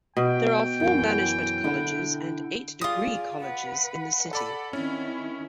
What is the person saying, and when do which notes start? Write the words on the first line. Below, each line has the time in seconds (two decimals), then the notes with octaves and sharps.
There are four management colleges and eight degree colleges in the city.
0.17 B2 G5
0.80 F#2 E3
1.64 D3 E4
2.81 F4 G#4 D5 D#6
3.40 B4 F#5
4.33 A4 D5 B5
4.73 D#3 C4 C#4 E4